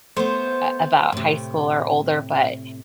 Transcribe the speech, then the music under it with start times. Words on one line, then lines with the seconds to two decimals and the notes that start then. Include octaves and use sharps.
uh, about high school or older, but
0.17 A3 B3 C5
1.12 A2 C3